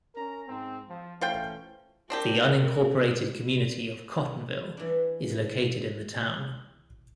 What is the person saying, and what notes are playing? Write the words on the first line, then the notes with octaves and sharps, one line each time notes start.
The unincorporated community of Cottonville is located in the town.
C#4 A#4 A#5
G#2 C4
F3
E3 A3 C#4 F4 C5 G5
C4 D4 G4 A#4
E3 D4